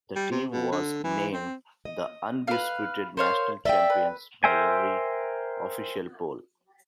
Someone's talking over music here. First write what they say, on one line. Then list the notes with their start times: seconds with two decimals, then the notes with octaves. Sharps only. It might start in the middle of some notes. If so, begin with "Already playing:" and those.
The team was named the "undisputed national champions by every official poll".
0.15 G3
0.31 C3
0.52 B2
0.71 D3
1.03 E3
1.33 C4
1.85 D#5
2.48 B4 F5
3.17 A#4 C5 C#5 F5
3.65 D5 E5 F5 G5
3.90 B4
4.44 A#4 C5 E5 G5 G#5